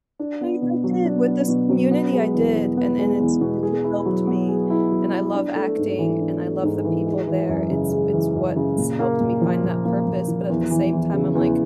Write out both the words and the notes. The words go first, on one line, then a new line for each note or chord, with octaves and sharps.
I I did with this community, I did, and and it's really helped me and I love acting and I love the people there, it's it's what's helped me find that purpose, but at the same time, I'm like,
D4
B3
B2
F#3
D4
B3
B2
F#3
B3
G#3
E2
B2
B3
G#3
E2
B2
G#4
E4
F#3
B3
G#4
E4
F#3
B3
D4
A3
G#2
E3
D4
A3
G#2
E3
G#3
E3
F#2
C#3
G#3
E3
F#2
C#3
A#2
A#3
A#2
F3
A#2
A#3
A#2
F3
E2
E3
E2
C#3
E2